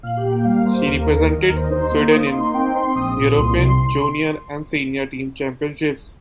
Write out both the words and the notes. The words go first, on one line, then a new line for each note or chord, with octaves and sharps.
She represented Sweden in European Junior and Senior Team championships.
A#2 F5
G4
A#3
G5
G3 F5
A#3 C5
D#2 A#4
A#4
D#3
A#4
D#3 D#5
A#4
D#2
C5
D#5
D#4 C5
A#3
A#3 D#6
C6
D#4
C6
C4 G5
C4 C6
A#1 D#6
A#2 D#6
C2 C6
C3